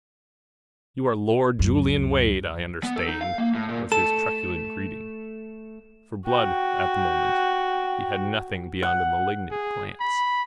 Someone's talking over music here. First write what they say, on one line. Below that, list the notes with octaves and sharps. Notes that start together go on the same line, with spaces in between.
"You are Lord Julian Wade, I understand," was his truculent greeting. For Blood at the moment he had nothing beyond a malignant glance.
C#2 F#2
B3
A4
D#4
F5
A#3
A2
A#2
A3 A4 E7
F#4 G5
F#5
G#4
B5